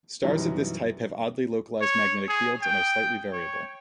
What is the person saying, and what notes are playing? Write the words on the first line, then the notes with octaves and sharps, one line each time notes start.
Stars of this type have oddly localised magnetic fields and are slightly variable.
F#2 B2 E3 F#3 G3 D#4
C#5
G#4
G5
C#5